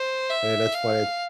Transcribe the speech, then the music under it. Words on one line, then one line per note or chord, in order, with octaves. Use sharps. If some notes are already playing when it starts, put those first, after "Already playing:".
hey, that's funny
Already playing: C5
E5
F5